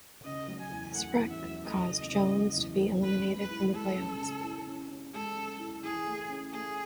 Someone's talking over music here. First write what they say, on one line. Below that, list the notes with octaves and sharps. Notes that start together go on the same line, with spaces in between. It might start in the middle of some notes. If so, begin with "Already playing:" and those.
This wreck caused Jones to be eliminated from the playoffs.
C#3 D#5
F#3
G#5
E2
A3 F#5
E2
E5
F#3
A3 D#5
C#3
C#3
F#3
E2
F#3
C#4 B4
G#3
B4
E4
G#3 A4
C#4
C#3
E4
C#4
C#4
G#3 A4
C#4
E4
E3 G#4
A3
C#4
A3 G#4